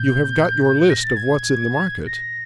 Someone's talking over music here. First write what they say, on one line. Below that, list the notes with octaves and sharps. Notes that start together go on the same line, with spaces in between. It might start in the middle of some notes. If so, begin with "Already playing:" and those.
You have got your list of what's in the market?'
Already playing: A#2 G6
A#6
A6
G#6
A#6